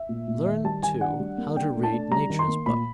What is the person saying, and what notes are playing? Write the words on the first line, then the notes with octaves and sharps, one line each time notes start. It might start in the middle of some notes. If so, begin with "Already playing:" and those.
Learn, too, how to read Nature's book.
Already playing: E5
A#2
A#2
D#3 E5
G3 A5
D#3 G#5
D4 F#5
G3
A#3
D4 G5
A3
A5
D4
G3 A#5
D#3
C6
A#3
A#2 B5